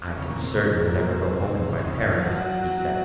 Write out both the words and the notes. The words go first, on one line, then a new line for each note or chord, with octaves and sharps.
'I can certainly never go home to my parents,' he said.
C#3
A#2
C3
C#3
A#2
A#2
A#2
C3
C3
C#3
C3
D#3
C#3
D#3
F3
F#3
F3
F#3